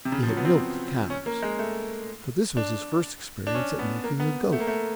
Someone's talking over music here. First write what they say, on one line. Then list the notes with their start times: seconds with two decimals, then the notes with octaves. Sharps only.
He had milked cows, but this was his first experience at milking a goat.
0.05 C3
0.12 C#3
0.23 F3
0.28 F#3
0.37 B3
0.45 C4
1.10 C#4
1.26 A#3
1.43 G#3
1.59 A3
2.57 D4
3.47 D4
3.55 C#4
3.79 B3
4.04 A#3
4.20 B3
4.52 A3
4.60 A#3
4.67 A3